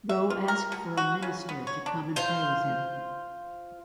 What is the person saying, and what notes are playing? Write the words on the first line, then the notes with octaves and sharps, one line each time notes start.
Wroe asked for a minister to come and pray with him.
E5
F4
A#4
B2
F#4
C#3
B3
C#5
D4
F4 C5